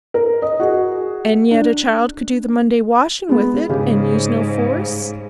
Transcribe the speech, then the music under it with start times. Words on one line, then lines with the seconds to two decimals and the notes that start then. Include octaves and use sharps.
"And yet a child could do the Monday washing with it and use no force."
0.14 A#4
0.42 D#5
0.60 F#4 G#4
1.51 D4
3.29 G#3 B3
3.69 G#2 C#3 G4